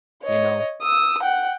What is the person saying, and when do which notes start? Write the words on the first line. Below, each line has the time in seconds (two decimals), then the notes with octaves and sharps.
You know?
0.23 C#5 D#5
0.82 D#6 E6
1.23 F#5 G5